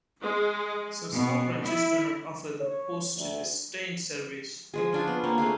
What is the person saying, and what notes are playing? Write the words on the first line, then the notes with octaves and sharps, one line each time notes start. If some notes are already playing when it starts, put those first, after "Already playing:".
Some small branches do not offer the poste restante service.
G#3
B2
E4
C#5
D2
F3 G#3 G#4
C#4 D4 F4
B3
A#3 C4 D4 C#5
A3 C4 G#4 F5